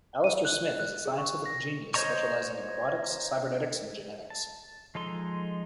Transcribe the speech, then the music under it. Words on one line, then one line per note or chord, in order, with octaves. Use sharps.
Alistair Smythe is a scientific genius specializing in robotics, cybernetics and genetics.
D#7
F#6
F#6
G#4
C#6
A#6
C5 C#5 D#5 A#5 C#6
A5
F3 G#3 D#4 A4 C6